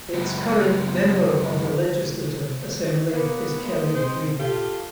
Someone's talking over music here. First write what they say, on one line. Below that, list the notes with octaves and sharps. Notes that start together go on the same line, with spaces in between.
Its current Member of the Legislative Assembly is Kelly Regan.
C#2 F#2
A#3 B3
G#3 A#3
C4 C5
F4 G4 A4